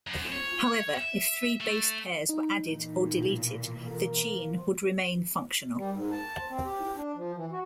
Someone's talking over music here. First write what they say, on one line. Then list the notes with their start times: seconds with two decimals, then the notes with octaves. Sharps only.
However, if three basepairs were added or deleted, the gene would remain functional.
0.07 F#2
0.32 C#5
0.97 E5
1.61 A3
2.29 D#4
2.64 A#2 E3
3.18 B2
3.86 A#3
5.77 G3
5.93 G#2
6.11 A5
6.50 C4
6.65 G4
6.96 D4
7.15 F3
7.36 E3
7.52 F#4